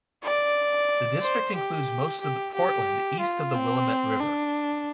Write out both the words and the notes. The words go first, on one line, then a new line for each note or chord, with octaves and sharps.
The district includes most of Portland east of the Willamette River.
D5
C5
G4
G4
G4
F4
C4
D4